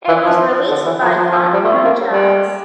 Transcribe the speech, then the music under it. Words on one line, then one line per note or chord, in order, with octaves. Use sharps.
It was released by Concord Jazz.
E3
F3
D3
E3
F3
F3
F3
F3
G3
A3
C4
A#3
G3